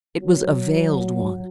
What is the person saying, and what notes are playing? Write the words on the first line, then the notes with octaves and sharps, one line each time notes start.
It was a veiled one.
F#3